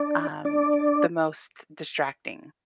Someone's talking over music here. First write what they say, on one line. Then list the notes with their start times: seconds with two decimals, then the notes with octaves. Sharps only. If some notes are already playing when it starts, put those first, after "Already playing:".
um, the most distracting.
Already playing: D4 D5
0.45 D4 D5